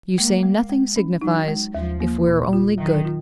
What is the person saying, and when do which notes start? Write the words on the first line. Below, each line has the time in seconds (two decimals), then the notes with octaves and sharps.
You say nothing signifies, if we are only good.
0.18 G#3 A#3
0.43 G#3
0.70 G#3
0.96 C#4
1.21 F#3 D#4
1.48 G#3
1.74 D#2 F3
2.00 A#3
2.27 A#2
2.53 F4
2.78 D#3 F#3
3.05 F4